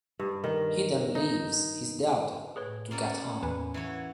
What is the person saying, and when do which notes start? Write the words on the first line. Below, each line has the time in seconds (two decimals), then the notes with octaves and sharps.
He then leaves his daughter to Gautham.
0.19 G2
0.44 D#3
1.15 D#4
2.56 A2 G#4 B4 C#5
2.91 A#3 C#4 D5
3.43 E2 B4 G#5 B5
3.74 E3 F#3 C#5